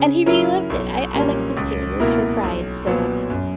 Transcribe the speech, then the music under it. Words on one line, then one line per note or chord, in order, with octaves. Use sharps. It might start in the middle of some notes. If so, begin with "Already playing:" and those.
and he really loved it, I I liked it too, it was for Pride, so,
Already playing: C#3
F#3 C#4 E4 A#4
B1
A#2 G3 A#3 C#4
C#2
B2 A#3 E4 A#4
B1
A#2 F#3 B3
F#2